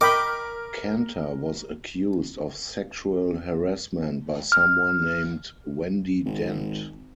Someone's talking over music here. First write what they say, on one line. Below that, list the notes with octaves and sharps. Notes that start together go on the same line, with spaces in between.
Canter was accused of sexual harassment by someone named Wendy Dent.
A#4 D#5 G5 B5 D6
F6
G#1